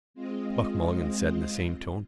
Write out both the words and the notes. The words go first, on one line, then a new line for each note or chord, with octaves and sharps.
Buck Mulligan said in the same tone.
G#3 C4 F4 D#5